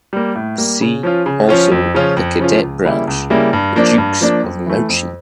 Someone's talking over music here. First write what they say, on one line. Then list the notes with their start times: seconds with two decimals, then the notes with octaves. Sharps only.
See also the cadet branch, the Dukes of Mouchy.
0.13 G3 A#3
0.35 A2
0.58 G3 A#3
0.81 C#3
1.03 F3 C#4 F4
1.26 C#3
1.49 F3 C#4 F4
1.72 F2
1.94 C#3 F3 C#4 F4
2.17 F2
2.39 C#3 F3 C#4 F4
2.62 C#2
2.85 C#3 G3 A#3 E4
3.07 C#2
3.30 C#3 G3 A#3 E4
3.53 G2
3.76 F3 A#3 D4
3.98 G2
4.21 F3 A#3 D4
4.44 F2
4.66 E3 A3
4.89 F2